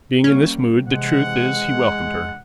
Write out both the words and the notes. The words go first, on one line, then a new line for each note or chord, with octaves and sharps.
Being in this mood the truth is he welcomed her.
G3 A#3 C#4
C3 E3 G#3 F#5